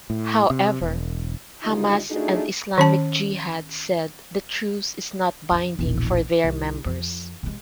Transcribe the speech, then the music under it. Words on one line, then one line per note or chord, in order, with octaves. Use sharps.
However, Hamas and Islamic Jihad said the truce is not binding for their members.
A2
C3
E1
D2 C#3 G3 D#4 F4 D#5
A3 D4 D#4 F4 F#4 G#4
D#3 C#4 A5
F2 C#3
E1 A#1
C2
F2
C3 G#3